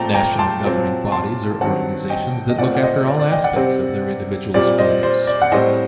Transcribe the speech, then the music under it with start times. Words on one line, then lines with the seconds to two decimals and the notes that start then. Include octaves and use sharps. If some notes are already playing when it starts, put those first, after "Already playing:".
National Governing Bodies are organizations that look after all aspects of their individual sports.
Already playing: A#2 A3 C4 G5 A5 A#5
0.14 G5 A#5
0.39 A5 C6
0.63 A#2 F#3 C4
1.12 A5 C6
1.61 G2 D#3 F#3 C4 F#5 A5
2.10 D#5 G5
2.49 D#5
2.58 A#2 A3 C4 D5 F#5
2.75 F#5
2.83 C5 D#5
3.08 D5
3.20 D5
3.32 D#5 G5
3.44 D5 F#5
3.56 C3 G3 C4
4.54 A#2 G3 C4 D5
4.78 C5 D#5
5.03 C5
5.27 D5
5.42 F#5
5.52 A2 G3 C4 C5 D#5